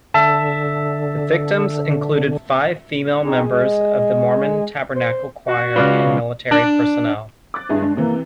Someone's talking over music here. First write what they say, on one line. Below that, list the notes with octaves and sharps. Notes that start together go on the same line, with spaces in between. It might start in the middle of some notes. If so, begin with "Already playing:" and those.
The victims included five female members of the Mormon Tabernacle Choir and military personnel.
D3 E5 A5
C4 D#4 G#4
G#3
C5
F#4
C#3 G#3 F4 B4 D5 F5
D4
D6 F#6 A6
G2 D4 E4 G#4
G#3 D4
C3 E3 A#3